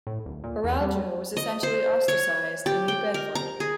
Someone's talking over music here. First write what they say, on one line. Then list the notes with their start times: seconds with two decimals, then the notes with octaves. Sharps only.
Araujo was essentially ostracized in New Bedford.
0.07 A2
0.25 D1
0.44 A#2
0.64 E2
0.80 G3
1.37 D#5
1.63 C5
2.08 C#5
2.66 G4
2.88 G5
3.14 A#4
3.35 A#5
3.60 G#4